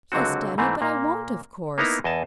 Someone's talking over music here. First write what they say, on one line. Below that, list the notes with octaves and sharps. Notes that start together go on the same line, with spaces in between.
"Yes, daddy; but I won't, of course."
C#2 D3 F#3 C4 F#4
G#2 E3 A3 C4
A#2 A#3
A#3 B3 D#4 E4 A#5
E2 D#5 G#5 A5